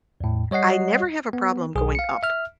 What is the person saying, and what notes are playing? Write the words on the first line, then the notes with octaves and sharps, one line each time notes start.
I never have a problem going up.
E2 A2
G3 C#5 D#5 F#5 C7
B3
B1 G#4
F5 C#7
E5 F6